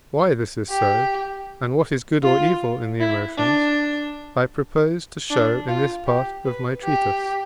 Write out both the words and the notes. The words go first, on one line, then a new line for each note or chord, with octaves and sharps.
Why this is so, and what is good or evil in the emotions, I propose to show in this part of my treatise.
G4
F4
E4
D4
D4
F4
G4
B4
G4